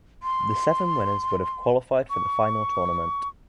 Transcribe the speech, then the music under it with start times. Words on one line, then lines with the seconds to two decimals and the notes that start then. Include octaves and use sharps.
The seven winners would have qualified for the final tournament.
0.23 C6
2.10 C#6